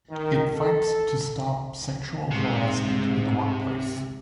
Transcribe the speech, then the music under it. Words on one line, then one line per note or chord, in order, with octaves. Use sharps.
It fights to stop sexual harassment in the workplace.
D#3
A4
G#2 C3